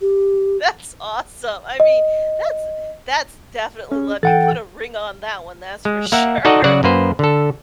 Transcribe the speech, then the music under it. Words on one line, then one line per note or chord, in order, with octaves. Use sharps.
That's awesome. I mean that's that's definitely love, you put a ring on that one, that's for sure.
G4
D#5
C#4 G#4
E3 A4 F#5 G5 A6
G#3
A#3 A#4 E5 F#5
D#4 F#4 A4 D5 D#5 F#5
C#3 F#3 F#4 D5 F#5
F#2 A#3 B4 C5
D3 A4